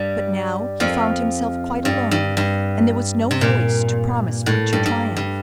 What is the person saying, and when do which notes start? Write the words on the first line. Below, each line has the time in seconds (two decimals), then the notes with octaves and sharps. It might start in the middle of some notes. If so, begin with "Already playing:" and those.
But now he found himself quite alone; and there was no voice to promise future triumph.
Already playing: G2 G3
0.80 F2 F3
1.85 G2
2.11 G2
2.37 G2
3.31 C3
3.41 A#2
4.46 A2
4.73 G2
4.86 G2
5.17 G2